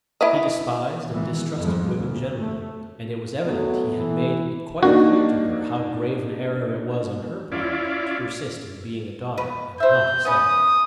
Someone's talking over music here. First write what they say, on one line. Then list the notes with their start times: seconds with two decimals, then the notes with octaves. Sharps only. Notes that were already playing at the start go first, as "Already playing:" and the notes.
He despised and distrusted women generally, and it was evident he had made it quite clear to her how grave an error it was on her part to persist in being a daughter and not a son.
0.21 E4 B4 D#5
1.08 D#3 E3 G#3 B3
1.56 F2 G#2 F3 G3 G#3 B3
1.97 D2
2.38 A3
3.46 F#3 A3 B3
3.97 E3
4.83 A#3 D4 D#4 F#4
7.52 C#4 E4 F4 D5
9.38 B4
9.80 C5 E5 G6
10.25 B3 C#4 B4 D#6